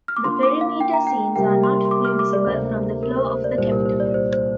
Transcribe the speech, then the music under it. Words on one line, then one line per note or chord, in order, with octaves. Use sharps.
The perimeter scenes are not fully visible from the floor of the Capitol.
F6
D6
D3 A#3 F4 C6
D6
F5
G5
A#5
G5
C3 G3 A#3 G4 A#4 G5
C6
C6
D6
F6
D6
D5
D2 C3 A#3 C5
A#4
C5
C5
D5
C2 A#2 G3 C5
A#4
C5
D5
C5
C5